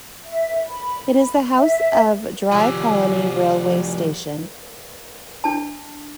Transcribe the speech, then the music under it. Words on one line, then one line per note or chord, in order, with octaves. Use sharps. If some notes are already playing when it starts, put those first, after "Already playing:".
It is the house of Drigh Colony railway station.
E5
B5
E5
D3 F3 G3 G#5
D4 A5